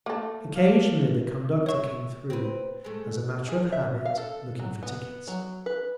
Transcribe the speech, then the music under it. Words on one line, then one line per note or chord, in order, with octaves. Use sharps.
Occasionally the conductor came through, as a matter of habit, looking for tickets.
A3 A#3 A4
D4 F5
C3 C#5 E5 C#6
C4 B4
G#3 A3
G#4
E5
F5
A4
F#3
B3
F#3
B4